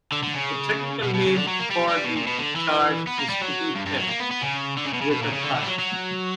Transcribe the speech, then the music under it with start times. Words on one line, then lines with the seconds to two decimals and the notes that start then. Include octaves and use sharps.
The technical name for the charge is petty theft with a prior.
0.12 D3
0.23 D3
0.34 C#3
1.03 B2
1.14 B2
1.26 C#3
1.37 D3
1.48 F#3
1.60 A#3
1.71 G3
1.88 G3
2.04 B2
2.16 A#2
2.27 B2
2.39 D3
2.56 E3
3.07 B3
3.19 A#3
3.30 G3
3.41 F#3
3.75 G2
3.86 G2
3.98 F#3
4.08 A#3
4.20 B3
4.32 B3
4.42 C#3
4.77 D3
4.86 C#3
4.94 B2
5.02 C#3
5.11 B2
5.23 A#2
5.33 C#3
5.44 D3
5.56 D3
5.62 G3
5.68 F#3
5.79 F#3